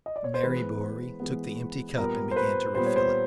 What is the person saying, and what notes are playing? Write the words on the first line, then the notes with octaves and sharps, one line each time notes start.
Mary Bewery took the empty cup and began to refill it.
D#5
D5
C#5
C5
E3 G#3 B3 B4
E3 G#3 B3
A#2 G3 B3 A#4
C5
B4
A#2 G3 B3 C5
C#5
C5